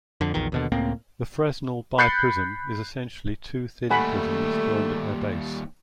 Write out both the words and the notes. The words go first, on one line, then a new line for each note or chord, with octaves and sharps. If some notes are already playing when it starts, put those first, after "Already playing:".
The Fresnel biprism is essentially two thin prisms joined at their base.
F2 D3
A#1 E2 D#3
D#2 B2 D3
C#2 A2 A#3 C4
B5 F#6 G6 A6 C7 C#7
D#2 G3 A3 F#5 G#5 B5